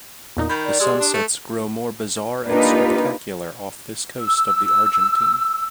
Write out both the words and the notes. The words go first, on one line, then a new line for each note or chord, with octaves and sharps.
The sunsets grow more bizarre and spectacular off this coast of the Argentine.
E2 A#2 D#4
D#3 B5 G6
D5
G#3 G4 C6 D#6 E6
D4
A3
A#3 D4 D#4 F4 G4 B4
E6